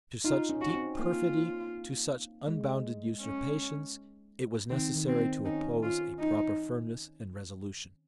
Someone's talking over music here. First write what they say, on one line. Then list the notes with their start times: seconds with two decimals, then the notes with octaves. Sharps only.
To such deep perfidy, to such unbounded usurpations, it was necessary to oppose a proper firmness and resolution.
0.24 D#4 F4
0.49 C#4
0.61 F#4
0.74 C4
0.98 A#3 F4
2.47 G#3
3.22 C#4
4.70 D#3 C4
4.95 D#3
5.08 C4
5.20 C4
5.45 C#4 D#4
5.83 F4
6.20 D#4